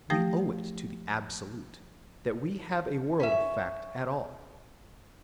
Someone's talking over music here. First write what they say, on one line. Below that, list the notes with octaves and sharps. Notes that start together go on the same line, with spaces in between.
We owe it to the Absolute that we have a world of fact at all.
F3 A3 G4 G5 D#6 A#6
C#4 E5